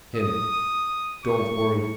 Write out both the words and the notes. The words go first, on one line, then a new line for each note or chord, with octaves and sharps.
HIM: Don't worry.
D#6
C#6